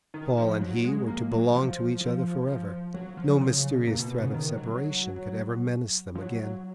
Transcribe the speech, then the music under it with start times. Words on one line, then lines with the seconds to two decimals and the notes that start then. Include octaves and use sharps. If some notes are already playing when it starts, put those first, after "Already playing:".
Paul and he were to belong to each other forever: no mysterious threat of separation could ever menace them again!
0.14 D#3
0.37 F3
0.61 F#3
0.84 G#3
1.07 A#3
1.31 F#3
1.54 F3
2.01 F3
2.47 F3
2.94 F#3
3.17 F3
3.25 F#3
3.31 F3
3.41 C#3
3.88 A#2
3.99 B2
4.11 B2
4.22 C#3
4.34 D#3
4.57 F#3
6.15 F3
6.21 F#3